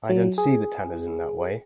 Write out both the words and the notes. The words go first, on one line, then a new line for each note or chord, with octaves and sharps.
I don't see the Tanners in that way.
F#3
G#4